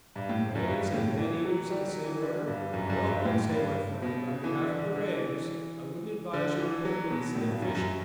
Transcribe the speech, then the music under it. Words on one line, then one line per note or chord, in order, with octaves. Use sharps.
"Rays and man-eaters in the same order? Well, Conseil my friend, on behalf of the rays, I wouldn't advise you to put them in the same fish tank!"
G2
A2
F#2
G2
A2
E3
F#3
G3
F#3
E3
D3
G2
F#2
G2
F#2
G2
A2
G2
B2
C#3
E3
D3
D3
D3
E3
D3
E3
F#3
B2
A2
G2
F#2
F#2